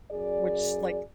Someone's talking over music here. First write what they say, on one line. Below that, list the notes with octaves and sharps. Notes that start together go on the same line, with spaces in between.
which like
F#2 G#4 D5